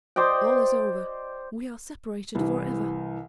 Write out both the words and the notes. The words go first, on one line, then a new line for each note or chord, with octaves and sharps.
All is over; we are separated forever!
C5 D5 D#5 G5
C2 E3